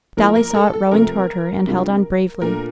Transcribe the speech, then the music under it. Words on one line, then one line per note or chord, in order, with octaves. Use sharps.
Dolly saw it rowing toward her, and held on bravely.
F3 A#3 E4 A#4
A#4
A4
A4
C3 F3 A3 A#4
C3 G3 D4 F4
A#2 A3 D4 A#4